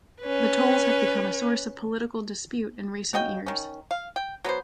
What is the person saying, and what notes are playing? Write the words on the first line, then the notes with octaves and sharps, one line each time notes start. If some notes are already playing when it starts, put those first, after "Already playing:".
The tolls have become a source of political dispute in recent years.
C#4 B4
C#3 F#4 D#5 G5
D#3 C#4
F5
G5
F#3 B3 A#4 C5